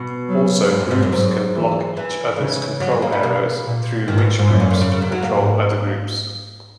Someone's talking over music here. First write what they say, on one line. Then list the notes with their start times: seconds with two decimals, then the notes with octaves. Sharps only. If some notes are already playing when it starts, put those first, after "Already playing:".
Also, groups can "block" each other's control arrows, through which groups control other groups.
Already playing: B2
0.28 F#3
0.71 G#2 G#3
0.80 F#2
0.91 G#2
1.03 F#2
1.12 G#2 F#3
1.55 E3
1.97 E3
2.39 C#3
2.80 F#3
2.91 G#3
3.02 A#3
3.12 B3
3.23 B2 A#3
3.65 A#2
4.07 G#2 D#3
4.18 B2
4.39 G#2
4.49 F#2
4.60 A#2
4.71 A#2
4.81 C#3
4.92 C#3
5.02 D#3
5.12 F#3
5.23 A#3
5.34 G#2